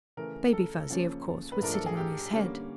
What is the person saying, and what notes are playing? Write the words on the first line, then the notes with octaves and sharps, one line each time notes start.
Baby Fuzzy, of course, was sitting on his head.
C#3 E3 A3 A#4
A4
C#3 F3 A#3 C#4
B4
G#2 F3 A3 D4 A#4
A4
G#4
G4
D3 G3 A#3 C#4